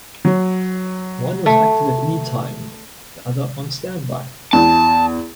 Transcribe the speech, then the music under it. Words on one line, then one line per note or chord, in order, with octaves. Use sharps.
One was active at any time, the other on standby.
F#3
A3
E2 A5